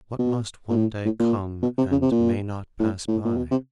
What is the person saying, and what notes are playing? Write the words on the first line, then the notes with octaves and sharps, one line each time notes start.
What must one day come and may not pass by?
B2
A#2
A2
A2
A#2
B2
C3
C#3
C3
A#2
A2
A2
A#2
B2
C3